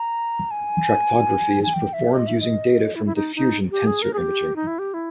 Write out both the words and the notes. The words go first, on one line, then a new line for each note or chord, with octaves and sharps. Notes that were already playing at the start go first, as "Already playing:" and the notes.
Tractography is performed using data from diffusion tensor imaging.
Already playing: A#5
G#5
G#5
G5
E5
D#5
E5
D#5
E4
E4
D#4
D#4
G4
G#4
A#4
G#4
G4
D#4
E4
G4
E4